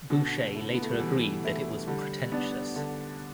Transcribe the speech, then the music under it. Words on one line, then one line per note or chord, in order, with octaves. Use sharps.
Boucher later agreed that it was "pretentious".
B2 D3
A3 E4
B3
A3
G3
B2 E3
A3 E4
D3 G3
B3 D4
D3